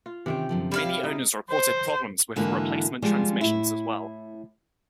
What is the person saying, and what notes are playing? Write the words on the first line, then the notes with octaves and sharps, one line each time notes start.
Many owners reported problems with the replacement transmissions as well.
F4
C3 D#3 E3 C4 C#4 G5
F#2 D3 F3
G3 E4 F5
G4
G#3 D#4
C5
G#2 D3 E3 A#3 F#4
F3 G3 G#3 B3
A2 E4